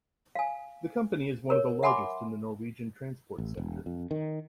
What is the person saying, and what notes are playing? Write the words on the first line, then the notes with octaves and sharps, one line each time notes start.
The company is one of the largest in the Norwegian transport sector.
F5 G#5
A#4 C#5
E5 F#5 G#5 B5 C6 D6
A1
E1
F2
D#3